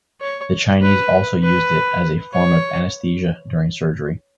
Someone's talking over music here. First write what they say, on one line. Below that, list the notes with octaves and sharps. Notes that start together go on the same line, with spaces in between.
The Chinese also used it as a form of anesthesia during surgery.
C#5
B4
B4
C#5